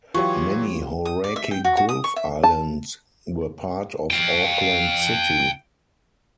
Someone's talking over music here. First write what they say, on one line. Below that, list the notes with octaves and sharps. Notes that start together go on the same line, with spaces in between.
Many Hauraki Gulf islands were part of Auckland City.
E3 F#3 F4 G4 C#5 C#6
D#6
D5
E5
G5
F#4
F#4
D#6
C#6
E5
A5
F5 G5